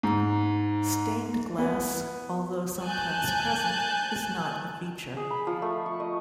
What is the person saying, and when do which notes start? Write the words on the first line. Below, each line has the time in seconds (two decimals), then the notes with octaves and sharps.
Stained glass, although sometimes present, is not a feature.
0.03 G#2
1.58 B3
2.83 G#5 A5 F#6 G6
5.17 G#4
5.31 B5
5.47 F3
5.62 A3
5.86 C#6
6.00 D#5